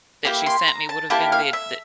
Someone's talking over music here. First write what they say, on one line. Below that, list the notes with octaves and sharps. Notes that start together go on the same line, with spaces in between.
that she sent me would have been the the
A#3 E4 G4
C6
A#5
A5
A#3 E4 G4 A5
F5
E5